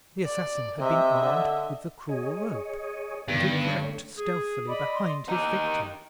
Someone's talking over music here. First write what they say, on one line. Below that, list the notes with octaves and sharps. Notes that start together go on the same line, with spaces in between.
The assassin had been armed with the cruel rope, and had crept stealthily behind his victim.
D5
C3 D#5 E5
D3
G#4 C#5 D#5
G2 D3 D#3 B3
D3 A3 C#5
G#4
D5 D#5 B5
C6
D#4 G4